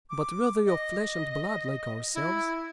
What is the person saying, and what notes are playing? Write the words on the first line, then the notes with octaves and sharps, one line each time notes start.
But were they of flesh and blood, like ourselves?
D6
D#5
E4